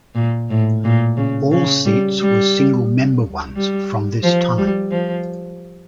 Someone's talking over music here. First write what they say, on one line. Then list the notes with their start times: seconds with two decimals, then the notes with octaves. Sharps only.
All seats were single member ones from this time.
0.15 A#2
0.50 A2
0.84 A#2
1.17 C#3
1.52 C#3
1.85 G3
2.20 G3
3.56 G3
4.23 F3
4.58 G3
4.91 F3